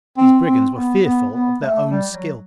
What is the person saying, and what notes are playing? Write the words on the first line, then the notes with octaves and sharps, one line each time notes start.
These brigands were fearful of their own skill.
C4
C4
B3
B3
B3
A3
G3
F#3